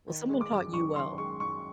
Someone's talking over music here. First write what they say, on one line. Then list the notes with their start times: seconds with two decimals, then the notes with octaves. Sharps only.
Well, someone taught you well.
0.07 D#3
0.29 G#3
0.41 D6
0.52 F#2
0.73 F#2 C#6
0.96 D#3 C6
1.18 G#3 C#6
1.40 F#2 C#6